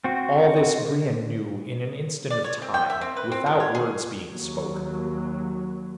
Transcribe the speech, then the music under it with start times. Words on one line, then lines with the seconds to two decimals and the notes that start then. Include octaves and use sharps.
All this Brion knew in an instant of time, without words being spoken.
0.04 C4 F#4
2.30 D5
2.44 C#5
2.62 C4
2.74 G5
2.90 E5
3.01 C4
3.17 B4
3.32 C4
3.46 B2
3.60 C#5
3.75 G#4
4.29 D#2 F#3